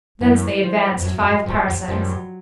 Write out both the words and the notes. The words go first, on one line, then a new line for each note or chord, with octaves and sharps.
Thence they advanced five parasangs.
F#2 E3
F3
F2
F#2 F#3
F#2
G2
G2 F3 G3
F2
F#2 F3 G3
F#3